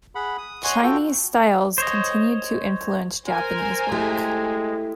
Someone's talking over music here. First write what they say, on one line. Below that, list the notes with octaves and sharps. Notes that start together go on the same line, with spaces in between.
Chinese styles continued to influence Japanese work.
G#4 F#5 B5
D#6
C#5 D#5 F#5 G#5 C6 C#6
F4 F#4 A4 G5
C5 C#5 D#5
A#4 C5 G#5 A#5
G#3 A3 E4 G4